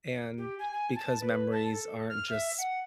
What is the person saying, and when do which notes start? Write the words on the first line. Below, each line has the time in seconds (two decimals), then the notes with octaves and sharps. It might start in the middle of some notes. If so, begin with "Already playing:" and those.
and because memories aren't just
0.38 G4
0.59 G#5
0.73 G#5
0.95 A5
1.20 B4
1.52 A5
1.72 A4
2.09 F6
2.30 E5
2.58 F#5